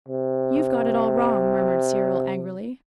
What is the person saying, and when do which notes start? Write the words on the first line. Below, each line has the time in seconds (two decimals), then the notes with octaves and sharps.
'You've got it all wrong,' murmured Cyril angrily.
0.09 C3